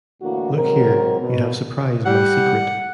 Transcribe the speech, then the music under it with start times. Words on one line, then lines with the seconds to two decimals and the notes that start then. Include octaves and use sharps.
Look here, you have surprised my secret.
0.22 A2 D3 E3 A#3 F#4
0.54 G#2 F#3 C4 A#4
1.20 B2
2.06 G3 F#5